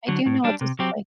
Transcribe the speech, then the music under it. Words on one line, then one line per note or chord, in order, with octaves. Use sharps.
I do know what those look like.
D3 F#3
A2
G3 D4
C3
F#3 C4 G4